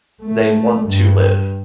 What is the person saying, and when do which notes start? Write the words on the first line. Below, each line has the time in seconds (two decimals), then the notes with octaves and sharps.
They want to live.
0.23 A3
0.88 G2